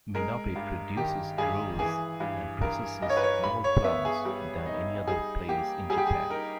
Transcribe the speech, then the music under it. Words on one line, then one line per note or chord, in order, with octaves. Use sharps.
Minabe produces grows and processes more plums than any other place in Japan.
G#3 A#4
G2
D#3 G4
G2 G#4
E3 G#4
G2
G2 A#4
G2 D#5
C#5
B4
C#5
G2 B5
C#5
B3 E5
G#4
G3
D#4
G3 G#4
A#3 G4
G3 G#4
G4
G#4
D#4 A#4